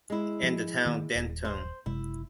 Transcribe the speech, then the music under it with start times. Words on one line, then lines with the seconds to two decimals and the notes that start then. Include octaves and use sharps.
And the town, Denton.
0.10 G#3 E4
0.43 F3
0.85 D#3 A#3
1.15 D#1
1.45 C5
1.86 F#1 C3 G#3 E4